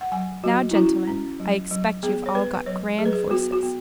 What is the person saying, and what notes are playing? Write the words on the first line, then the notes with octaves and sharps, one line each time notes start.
Now, gentlemen, I expect you've all got grand voices.
F#5
F#3 G#5
F#3 F#4
E4
C#4 F#4
C#4
F#3
F#3
B3 G#4
C#5
B3 B4
F#3 C#5
F#3 G#4
B4
G#4
B3 F#4
F#4
B3